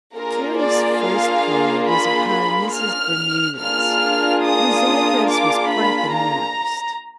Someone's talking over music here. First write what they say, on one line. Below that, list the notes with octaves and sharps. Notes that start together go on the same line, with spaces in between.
Carrie's first call was upon Mrs. Bermudez, whose address was quite the nearest.
A#3 D4 F4 G#4 A#4
D5
F5
B5
B5
F6
A#3 D4 F4 G#4 F6
D#6
D6
B5
A#5